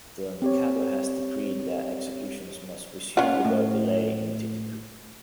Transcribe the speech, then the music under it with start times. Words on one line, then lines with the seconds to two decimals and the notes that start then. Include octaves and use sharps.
The Mikado has decreed that executions must resume without delay in Titipu.
0.42 C4 G4 C#5
3.17 C#4 F4 F#5
3.45 A2